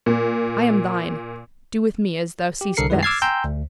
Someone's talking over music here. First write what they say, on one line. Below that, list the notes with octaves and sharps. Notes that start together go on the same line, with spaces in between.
"I am thine; do with me as thou seest best!"
A#2
G4
C2 D3 A4 A#4 C7 C#7
F#2 D#3 G3 G#3 E4 B4
D6 E6 F6 G#6 A6 C7
G5 G#5 A#5 C6 E6 G6
D2